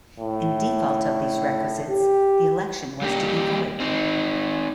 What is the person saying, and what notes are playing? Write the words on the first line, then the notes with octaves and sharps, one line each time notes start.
In default of these requisites the election was to be void.
A2
G4
G3 A#3 G4
C4 D#4